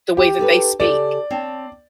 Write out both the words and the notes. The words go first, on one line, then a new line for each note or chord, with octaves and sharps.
the way that they speak.
G4
D#4 A4 B4
C#3 G4 A4 D5
C4 C#5 A5